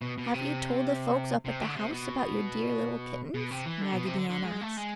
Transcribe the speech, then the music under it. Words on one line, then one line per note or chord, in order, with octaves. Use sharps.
"Have you told the folks up at the house about your dear little kittens?" Raggedy Ann asked.
B2
B2
C3
C3
D3
C3
B2
B2
C3
E3
D3
B2
C3
D3
D3
G#3
A3
G#3